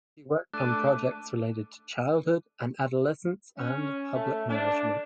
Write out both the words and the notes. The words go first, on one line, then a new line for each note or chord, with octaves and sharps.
She worked on projects related to childhood and adolescence and public management.
A3 D4 F#6 D#7
C#4
A3
D4